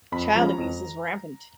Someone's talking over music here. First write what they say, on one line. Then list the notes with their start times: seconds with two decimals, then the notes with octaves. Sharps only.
Child abuse is rampant.
0.12 F2 B5
0.35 F3 G#3 C#4 A#5
0.58 F2